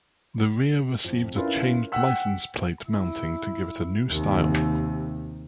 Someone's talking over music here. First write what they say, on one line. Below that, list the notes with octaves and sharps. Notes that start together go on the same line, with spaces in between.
The rear received a changed license plate mounting to give it a new style.
F2
C#4 E4 F4 A#4 B4
F#5 G5 E6 B6
E4
D#2 C3